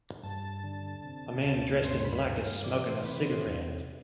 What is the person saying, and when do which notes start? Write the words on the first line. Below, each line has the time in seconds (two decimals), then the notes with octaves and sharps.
A man dressed in black is smoking a cigarette.
0.23 G2 A5
0.64 D3
1.05 C3
1.44 D2
1.84 G2 C6
2.04 B5
2.25 G2
2.44 F5
2.64 E3 D5
2.85 C5
3.05 C3 B4
3.25 C5
3.45 E2